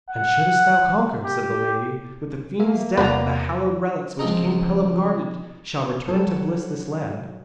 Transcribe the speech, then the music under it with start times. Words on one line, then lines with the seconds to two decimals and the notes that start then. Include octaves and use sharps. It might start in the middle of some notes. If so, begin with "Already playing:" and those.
'And shouldst thou conquer,' said the lady, 'with the fiend's death the hallowed relics which King Pellam guarded shall return to bless this land.
0.10 F#5
1.25 G4
2.60 A#3 E5
2.97 E2 C3 F#3 B3 F#4 B4 D5 A#5
4.19 C#2 F3 C4 D#5 A#5
6.09 F#3 A4